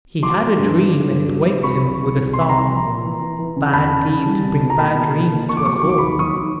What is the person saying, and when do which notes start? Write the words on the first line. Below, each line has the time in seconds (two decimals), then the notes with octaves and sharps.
He had a dream and it waked him with a start. Bad deeds bring bad dreams to us all.
0.23 F#3 C6 D6
0.41 B3
0.58 G2
0.75 F#3
0.93 D3
1.11 G2
1.28 F#3
1.46 F#3
1.63 C2 B5 C#6
1.81 C2
1.98 C2
2.16 C2
2.33 C2 C6
2.41 B5
2.49 C2 A#5 C6
2.68 F3
2.86 A#2
3.04 E3
3.21 E3
3.39 E3
3.56 C#3
3.73 E2 A5 B5
3.91 C#3
4.08 C#3
4.26 G3
4.44 C2
4.62 B2
4.70 A#5
4.79 A#3 A5 B5
4.96 B2
5.14 A#3
5.32 A#3
5.49 A#3 C#6
5.57 D6
5.65 F#3 C#6
5.73 D6
5.81 F#3 C#6
5.89 D6
5.98 D#2 B5 C#6
6.19 D#3 C#6 D#6
6.36 D#3